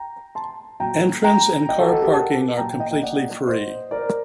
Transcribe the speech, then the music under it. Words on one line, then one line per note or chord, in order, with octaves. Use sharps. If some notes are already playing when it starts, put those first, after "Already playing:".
Entrance and car parking are completely free.
Already playing: G5 A#5
A5 C6
A#2 F#3 G5 A#5
G5 A#5
D#5 G5
F#4 A4
F#4 A4
G4 A#4
F#5 A5
A#2 F#3 G5 A#5
G5 A#5
D#5 G5
D#5 G5
D5 F#5
C5 D#5
A#4 D5